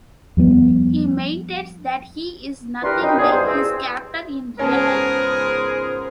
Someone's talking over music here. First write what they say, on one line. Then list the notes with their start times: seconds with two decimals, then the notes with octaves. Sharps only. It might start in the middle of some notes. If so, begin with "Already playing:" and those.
He maintains that he is nothing like his character in real life.
0.37 F2 G3 A#3 B3
2.83 E3 D4 G4 A#4 B4 C6
3.01 F#2 D#4 G5
3.18 B2 E3 D4 G#4
3.31 G2 C5
3.46 E2 C4
4.59 C#2 G#2 B3 C#4 G#4 A#4 C5 A5